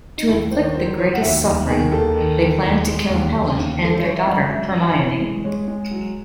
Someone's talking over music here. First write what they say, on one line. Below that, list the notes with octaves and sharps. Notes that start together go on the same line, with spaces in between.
To inflict the greatest suffering, they plan to kill Helen and their daughter, Hermione.
D#4
D#2 E4
D#3 C5
C#5
F#3 C5
F#3 C#5
F#5
D#2 E5
D#2 D#5
D#3 G#4
D#2 A4
D#3
D#3
D#2
G#3
D#2
D#2
D#2
G#3 A4
C5
F#2 C#5
E5
G#3 D#5
F#2 E5
F#2
E3 C#5
G#3
G#3 C#5
G#3
F#3